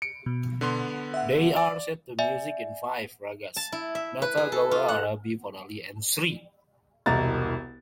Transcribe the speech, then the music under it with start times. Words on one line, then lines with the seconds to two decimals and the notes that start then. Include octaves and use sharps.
They are set to music in five ragas: Nata, Gaula, Arabhi, Varali and Sri.
0.02 C#7 D7
0.26 B2
0.61 D3 B3 C6
1.14 E5 F#5
1.56 D5
2.19 D5 E5 G#5
3.56 A5
3.72 E4
3.95 E5
4.22 B4
4.37 G#4
4.52 A4
4.71 F4
4.88 F#5
7.06 E1 C2 D#5 A#5 A6